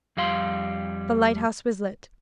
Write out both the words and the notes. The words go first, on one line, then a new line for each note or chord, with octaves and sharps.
The lighthouse was lit.
F2 G3 F5 C6